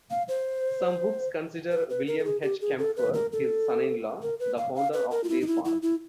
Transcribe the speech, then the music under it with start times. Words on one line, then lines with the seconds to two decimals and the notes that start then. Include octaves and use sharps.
Some books consider William H. Kempfer, his son-in-law, the founder of Deer Park.
0.10 F5
0.28 C5
1.71 B4
1.90 B4
2.07 A#4
2.19 A4
2.25 G#4
2.42 G4
2.61 G#4
2.79 A4
2.97 B4
3.14 A#4
3.33 A4
4.22 A#4
4.40 B4
4.57 F5
4.76 F5
4.93 B4
5.11 A#4
5.24 F4
5.29 E4
5.41 D#4
5.47 E4
5.65 E4
5.82 E4